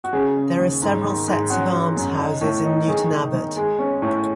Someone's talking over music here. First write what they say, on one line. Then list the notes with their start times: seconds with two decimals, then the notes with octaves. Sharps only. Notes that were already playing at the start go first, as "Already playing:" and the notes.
There are several sets of almshouses in Newton Abbot.
0.04 F#4
0.13 C#3 G#4
0.37 C#3
0.59 D#2
0.82 G#2
1.04 D#3
1.28 G#2
1.50 C#4 F#4
1.73 D#3
1.96 F#2
2.19 D#4
2.41 A2
2.65 D#4
2.88 D#3 G#4
3.11 D#3
3.34 D#3
3.56 G#3
3.78 C#4
4.02 A2